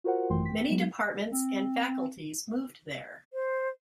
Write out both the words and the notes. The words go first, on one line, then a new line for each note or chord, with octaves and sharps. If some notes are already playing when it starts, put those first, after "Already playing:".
Many departments and faculties moved there.
F4 F#4 A#4 C5 F#5
G#1 F#2 E3 A3 G5 C6
G5 B6
F#3 G#3 B3 D#4
C4
C5